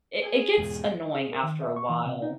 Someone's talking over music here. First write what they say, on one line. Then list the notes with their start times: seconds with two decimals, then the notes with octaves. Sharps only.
i it gets annoying, after a while
0.22 G#4
0.58 E2 G#2 B2
1.15 G#4
1.32 A#4
1.43 D#3
1.61 E5
1.76 C#6
1.90 E3
2.05 C3
2.22 D#4